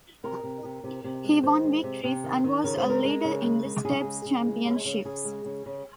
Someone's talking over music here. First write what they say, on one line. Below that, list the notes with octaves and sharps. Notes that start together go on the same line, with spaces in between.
He won victories and was a leader in the steps championships.
C3 A#4
C3
C3
C3
C3
G#3
D#3 C5
G#3
C3
C3
D#3
D#3
C#3 A#4
C5
G#3
A#4
G#3
C#3
G#3
G#3
C#3 G#4
G#3
C#3
G#3
C#3
C#3
C#3 G#4
G#3
C#3
C#3